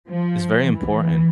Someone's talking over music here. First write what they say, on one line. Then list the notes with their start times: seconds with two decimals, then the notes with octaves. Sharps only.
is very important,
0.08 F3
0.69 E3